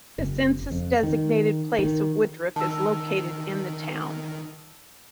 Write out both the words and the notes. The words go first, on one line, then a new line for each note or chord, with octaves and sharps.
The census-designated place of Woodruff is located in the town.
F#1
F2
D#3
D#3
D#3 A5 E6